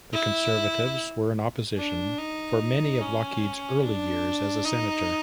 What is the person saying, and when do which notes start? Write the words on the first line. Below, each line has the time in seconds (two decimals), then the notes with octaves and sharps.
The Conservatives were in opposition for many of Lougheed's early years as a senator.
0.13 E4
1.77 D4
2.18 D#4
3.00 C#4
3.82 D4
4.64 D#4